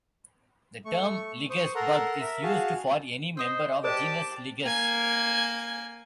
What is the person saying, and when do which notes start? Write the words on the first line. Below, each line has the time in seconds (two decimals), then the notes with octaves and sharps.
The term lygus bug is used for any member of genus "Lygus".
0.85 A3 C#6
1.50 C5 C#6 D#6
1.75 A4 A#4 F#5 A#5 C6
2.21 A#4 E5
2.43 F#4 G#4 F5 A5
3.37 C5 D#5 D#6 E6
3.84 G4 A#4 C5 D5 A5 D6
4.64 A#3 G#5